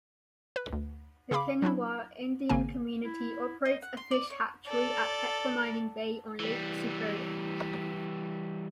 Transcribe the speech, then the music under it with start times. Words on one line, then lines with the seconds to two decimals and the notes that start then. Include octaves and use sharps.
The Keneewaw Indian Community operates a fish hatchery at Pequamining Bay on Lake Superior.
0.56 B4
0.73 D2
1.31 C#3 G#4 F5 B5 D6
1.62 F#3 C#4 D4 E4
2.49 G#1 C#3 A#3 G#5
3.04 E4
3.65 D#4
3.82 F#5
3.97 C6
4.11 D5
4.30 C#5
4.67 A4 D5
6.39 E3 G3